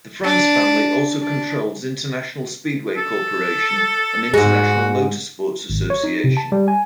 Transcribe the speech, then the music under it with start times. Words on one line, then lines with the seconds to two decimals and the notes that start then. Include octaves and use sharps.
The France family also controls International Speedway Corporation and International Motor Sports Association.
0.24 D4
1.19 D4
2.97 A4
4.34 G#2 G#3 F#4
5.70 G#1
5.90 C#5
6.04 D#4
6.24 C3
6.37 A5
6.52 G3
6.68 G#5